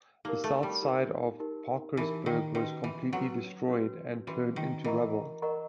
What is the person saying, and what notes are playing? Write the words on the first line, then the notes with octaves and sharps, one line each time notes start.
The south side of Parkersburg was completely destroyed and turned into rubble.
A#3 D#4 G4 A#4
A3
G3
D#4 G4 A#4
D#4 G4 A#4
E3 D#4 G4 A#4
D#3
D#3 C#4 F#4 B4
E3
F#3 C#4 F#4 B4
C#4 F#4 B4
E3 C#4 F#4 B4
D#3
E3 A#4 D#5 F#5 A#5 C#6
A#4 D#5 F#5 A#5 C#6